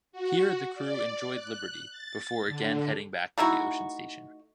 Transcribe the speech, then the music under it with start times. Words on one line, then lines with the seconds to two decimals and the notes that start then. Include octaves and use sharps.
Here the crew enjoyed liberty before again heading back to the ocean station.
0.12 F#4
0.75 D5
1.34 F#6
1.91 A6
2.48 D3
3.38 A3 D#4 E4 F#4